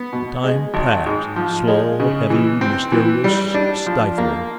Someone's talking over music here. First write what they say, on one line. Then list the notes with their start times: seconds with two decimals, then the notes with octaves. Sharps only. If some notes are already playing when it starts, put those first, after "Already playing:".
The time passed, slow, heavy, mysterious, stifling.
Already playing: B3
0.13 B2
0.44 G#3
0.74 G#1
1.06 G#2
1.36 F3
1.67 G#3
2.00 C#3
2.30 E3
2.61 C4
2.92 E3
3.24 G3
3.54 D4
3.86 F3
4.18 A#3